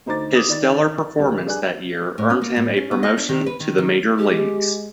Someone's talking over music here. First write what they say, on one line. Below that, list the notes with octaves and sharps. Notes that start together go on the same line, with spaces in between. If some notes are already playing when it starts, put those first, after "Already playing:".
His stellar performance that year earned him a promotion to the major leagues.
D2 D#4 C5 A#5 D6 A6
D6 D#6 A6
D#3 D5 A6
D#1 G3
G2 G#4 D5 G#5 F#6
A2
C#4
A#3
A2
C#4
B3
D#5
D4
D#3
B4
D#3
D#3
G#3 G4